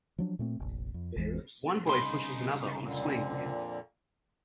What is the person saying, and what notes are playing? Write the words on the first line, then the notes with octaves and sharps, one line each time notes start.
One boy pushes another on a swing.
F3 F#3 D4
A#2 A3 C4
F1 A#1
F2
G#1 E2 E3 G#3
C2 C#3 D#4 B5 C6
F2 A#2 D3